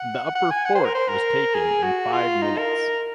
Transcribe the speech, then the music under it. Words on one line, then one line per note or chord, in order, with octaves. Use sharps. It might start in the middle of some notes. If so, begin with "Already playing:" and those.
The upper fort was taken in five minutes.
Already playing: F#5
F#5
G#5
F#5
C5
A#4
C5
A#4
G#4
F#4
F4
D#4
A#4